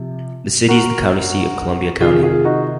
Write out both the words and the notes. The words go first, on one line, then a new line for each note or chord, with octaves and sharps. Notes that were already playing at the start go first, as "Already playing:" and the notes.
The city is the county seat of Columbia County.
Already playing: C3 F3
F#4 A#4
C3 D#3 F4 G#4
F4 G#4
D#4 F#4